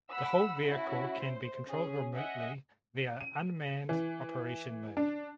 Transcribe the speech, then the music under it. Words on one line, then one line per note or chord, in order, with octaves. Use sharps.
The whole vehicle can be controlled remotely via unmanned operation mode.
F#5 B5 E6
C#4 E4 F#4
C5
C#4 G#4
D#5 E5 F#5 G#5
D#7
E3
D4